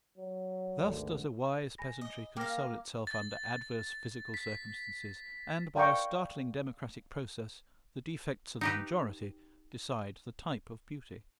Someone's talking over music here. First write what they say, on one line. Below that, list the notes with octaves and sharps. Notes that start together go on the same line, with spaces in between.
Thus does a wise peasantry console itself under adverse physical circumstances, and, by a startling democratic process, the defects of the majority decide the type of beauty.
F#3
G#1 D2 D3
G#5 B5 A#6
D#5
A#3 F5 G5 F6 A#6
A6
B6
D5 F5 G5 A#5 C#6
D#4 G4 B4